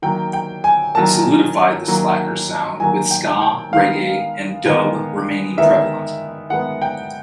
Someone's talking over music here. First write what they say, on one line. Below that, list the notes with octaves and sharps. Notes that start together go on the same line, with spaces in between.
It solidified the Slackers' sound, with ska, reggae, and dub remaining prevalent.
D#3 F#3 A#3 G5
G5
G#5
D#3 F#3 A#3 A5
D#3 F#3 A#3
D#3 F#3 A#3 G#5
G5
G5
D#3 G#3 B3 F5
D#3 G#3 B3
D#3 G#3 B3 E5
D#3 G#3 B3 F#5
G5